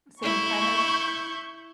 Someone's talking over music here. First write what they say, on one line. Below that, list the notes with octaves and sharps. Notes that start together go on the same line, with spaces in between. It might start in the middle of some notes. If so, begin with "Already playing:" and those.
So you kind of
E4 C#6 G6